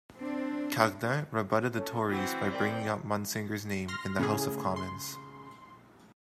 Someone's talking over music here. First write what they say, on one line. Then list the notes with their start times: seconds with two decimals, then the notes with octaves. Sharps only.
Cardin rebutted the Tories by bringing up Munsinger's name in the House of Commons.
0.18 C4 D4
1.75 C#4 A4 C#5
2.09 E3 C4 F#4 G5
2.51 A#4 C5 D5 G5
3.88 C6 F6 A#6
4.19 A2 C#3 G#4
4.76 C6